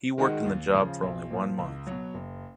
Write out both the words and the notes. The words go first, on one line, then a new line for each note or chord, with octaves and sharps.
He worked in the job for only one month.
D#3 G#3 D#4 F#4
D#2
C#3 F3
B1
A#2 F3 A#3
C#2
B2 F#3
F#1